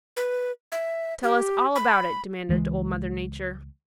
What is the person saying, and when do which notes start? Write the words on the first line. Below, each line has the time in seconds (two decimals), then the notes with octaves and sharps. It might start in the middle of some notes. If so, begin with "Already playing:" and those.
"Tell us all about it," demanded Old Mother Nature.
0.17 B4
0.72 E5
1.23 G4
1.76 B5
2.49 C#2 E3 F#3 G#3